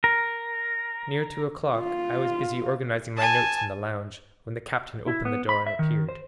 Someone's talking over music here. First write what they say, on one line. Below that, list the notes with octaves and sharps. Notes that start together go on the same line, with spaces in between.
Near two o'clock I was busy organizing my notes in the lounge, when the captain opened the door and appeared.
A#4
F4
G#5 A5
E4
B3
B5
E5
D#3
C5